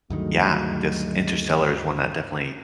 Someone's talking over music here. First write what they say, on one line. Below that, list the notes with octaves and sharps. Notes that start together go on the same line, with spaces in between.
yeah, this Interstellar is one that definitely
D2 G2 D#3 F#3 G#3 A3